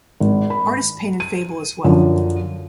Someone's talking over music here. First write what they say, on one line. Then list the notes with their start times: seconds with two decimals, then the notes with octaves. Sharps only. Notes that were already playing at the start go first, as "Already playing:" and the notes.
Artists paint in fable as well.
0.20 G#1
0.50 B5
1.20 D#7
1.84 F#2 D3 F3